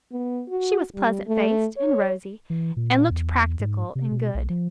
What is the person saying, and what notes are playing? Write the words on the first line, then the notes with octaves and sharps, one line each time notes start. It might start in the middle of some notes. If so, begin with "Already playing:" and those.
She was pleasant-faced and rosy, and looked practical and good.
B3
F#4
G3
A3
C#5
E3
A#2
E2
G#2
C3
B2
B1
F3